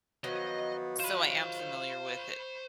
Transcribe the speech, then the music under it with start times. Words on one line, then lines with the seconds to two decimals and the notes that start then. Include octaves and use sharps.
So I am familiar with it
0.24 D#3 F3 F#3 B3 D#5
0.99 F4 C5 B5